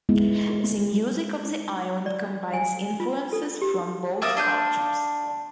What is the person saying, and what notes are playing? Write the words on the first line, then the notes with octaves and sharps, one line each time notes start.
The music of the island combines influences from both cultures.
G#3 B3 E4
D5
G#5
F4
A4
G4
A#3 D5 E5 D#6
D4 F4 G6